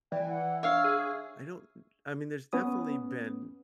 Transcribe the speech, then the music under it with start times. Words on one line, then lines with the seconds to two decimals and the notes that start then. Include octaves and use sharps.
I don't I mean, there's definitely been
0.12 E3 D5 G5
0.29 F#5
0.63 D4 C#5 E5 F5 E6
0.84 G#4
2.53 B3 C#4 D#6